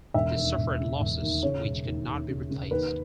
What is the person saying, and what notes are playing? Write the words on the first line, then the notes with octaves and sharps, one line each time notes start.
They suffered losses which could not be replaced.
E1 E5
D#2
E1
C#3
E1
D#2
C#3 C#5
E1
D#2
D#2
C#3
C#3
D#2 B4